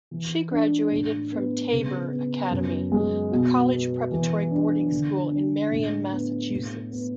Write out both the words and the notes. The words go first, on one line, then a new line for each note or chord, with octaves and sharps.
She graduated from Tabor Academy, a college-preparatory boarding school in Marion, Massachusetts.
E3
D4
A2
B3
C#3
B3
F#2
G#3
B2
B3
E3
D4
D3
D4
A2
B3
A2
B3